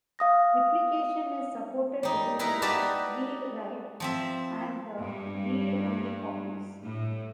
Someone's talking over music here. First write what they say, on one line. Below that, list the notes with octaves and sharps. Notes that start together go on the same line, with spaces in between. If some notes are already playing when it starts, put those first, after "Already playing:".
Replication is supported between the read-write and the read-only copies.
F5 D#6 A#6
G3 D#4
D#4 E4 A#4 B4
D#4 F#4 G4 B4 D5 A5
F3 C4 E5
G2
A2